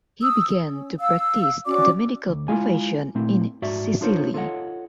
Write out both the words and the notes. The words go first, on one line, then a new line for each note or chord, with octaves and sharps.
He began to practise the medical profession in Sicily.
D#6 E6
C#4
F5 E6
C#4 F#4 D5 D6
D2
G#3 E4 F4 F5 G#5
A#2 A3 C4 E4
G#2 F#4 D5 E5
D4 D#4 F4 A#4 C5 C#5
F4 A4 B4 C#5 D#5 F#5